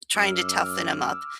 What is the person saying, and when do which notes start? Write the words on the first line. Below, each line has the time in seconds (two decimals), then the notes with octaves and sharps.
trying to toughen him up.
0.15 F#2 D6 E6 F6